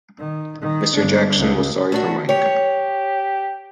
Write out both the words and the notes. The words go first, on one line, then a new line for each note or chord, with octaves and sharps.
Mr. Jackson was sorry for Mike.
D#3
D#3
G1 D4
C#2
A3 D4 F#4
G4 C#5